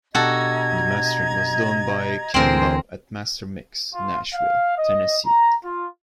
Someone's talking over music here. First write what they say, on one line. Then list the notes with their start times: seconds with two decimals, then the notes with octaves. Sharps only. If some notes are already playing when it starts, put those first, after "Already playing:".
The mastering was done by Ken Love at MasterMix, Nashville, Tennessee.
0.15 B2 D4 F#4 G4 A4 D#5 A#5 G#6
2.34 D2 D3 E3 C4 G#4 A#4 C5
3.94 F4
4.34 F5
4.78 D#5
5.26 A#5
5.64 F4